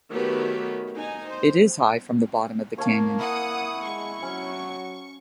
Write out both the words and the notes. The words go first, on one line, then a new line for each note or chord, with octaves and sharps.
It is high from the bottom of the canyon.
D#3 F#3 A3 B3 G4 B4
D#4 G#5
C5
A#3 C#5 F5 A5
E4 F#5 D#6
G#3 C#6
F#3 C#4